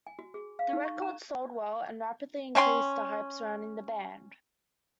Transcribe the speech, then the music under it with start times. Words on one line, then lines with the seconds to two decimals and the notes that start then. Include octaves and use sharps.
The record sold well and rapidly increased the hype surrounding the band.
0.07 G#5
0.19 F#4
0.34 G#4
0.59 F5
0.73 D#4
0.85 C#6
1.02 A#5
2.55 A3 C#4 G5 C6